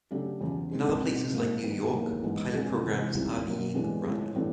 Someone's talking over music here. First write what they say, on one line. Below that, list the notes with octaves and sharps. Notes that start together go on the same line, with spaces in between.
In other places like New York pilot programs are being run.
C#3 F#3 A3 D4 G4
E2 C#3 F3
D#3 G#3 C4
B2 G3 C4 D#4
G#2 F3 A#3
D#3 G3 B3
A2 F#3 A#3 D#4 G#4
G#2 E3 G#3 B3
F2 D3 F3 G#3 C#4
C3 E3 G#3
D#3 G3 C4 E4
B2 F#3 A#3
A2 E3 G#3 B3 D4
A2 F3 G#3
A2 E3 G3 B3 D4